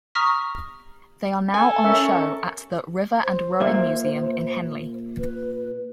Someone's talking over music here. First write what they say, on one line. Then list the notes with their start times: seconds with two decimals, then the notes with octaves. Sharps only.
They are now on show at the River and Rowing Museum in Henley.
0.15 A#5 C#6 D#6 F6 A#6 B6
1.54 A4 G#5
1.84 C#4 A#4 E5 C#6
3.23 C5
3.60 A#2 A#3 E5
5.18 B4